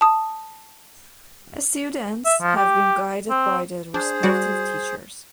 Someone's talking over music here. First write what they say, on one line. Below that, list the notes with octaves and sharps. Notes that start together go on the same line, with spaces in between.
Students have been guided by the respective teachers.
A5 D#6
E5
F3
G4
C4
D4 G#4 C5
G3 F#4 D5